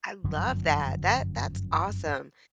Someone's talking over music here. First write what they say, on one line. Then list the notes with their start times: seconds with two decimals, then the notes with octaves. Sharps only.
I love that. That that's awesome.
0.24 G1 F#2 D3 F3